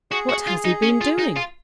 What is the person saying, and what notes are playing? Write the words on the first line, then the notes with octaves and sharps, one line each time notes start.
What has he been doing?
F#4 G#4
F#4
F4
D#4
C#4
F4
D#4
F4